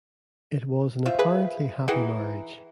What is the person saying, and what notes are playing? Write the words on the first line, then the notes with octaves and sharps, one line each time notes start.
It was an apparently happy marriage.
F4 C5 E5
G#4 B4
E3 D#4 G#4 F#5 G5